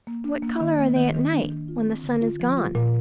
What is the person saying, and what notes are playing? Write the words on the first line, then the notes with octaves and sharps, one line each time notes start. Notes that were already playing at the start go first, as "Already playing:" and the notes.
What colour are they at night, when the sun is gone?
A#3
D4
A#3
D#3
A#3
D#3
D#3
D4
D#3
F4
C4
D3
F4
F3
F4
A#2